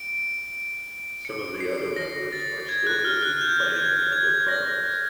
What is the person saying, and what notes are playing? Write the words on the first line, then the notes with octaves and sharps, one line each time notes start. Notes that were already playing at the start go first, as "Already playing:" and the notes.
Some of the other members are still busy playing in other projects.
Already playing: D7
C#7
C7
A#6
A6
G#6
F#6
F6
F#6
G6
G#6
G#6
A#6